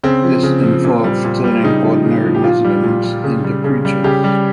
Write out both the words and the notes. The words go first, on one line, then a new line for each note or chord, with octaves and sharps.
This involved turning ordinary Muslims into preachers.
C#3 C4
F3
C#3
F3
A#2
G3
A#2
G3
C#3 D#4
F3
C#3
F3
G4
A#2 F4
G3
A#2
G3
C#3
G3
C#3
G3
C#3 G4
G3